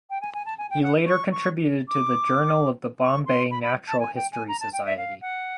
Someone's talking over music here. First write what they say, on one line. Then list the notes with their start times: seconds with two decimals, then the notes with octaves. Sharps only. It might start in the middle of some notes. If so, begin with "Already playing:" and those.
He later contributed to the "Journal of the Bombay Natural History Society".
0.10 G5
0.21 G#5
0.34 G#5
0.45 A5
0.58 G#5
0.70 G5
0.82 F#5
1.06 C#6
1.31 C#6
1.88 D6
3.02 C#6
3.26 C6
3.50 B5
3.63 B5
3.87 A5
3.99 G#5
4.15 G5
4.32 G#5
4.48 A#5
4.60 A5
4.72 G5
4.85 E5
4.97 F5
5.21 F#5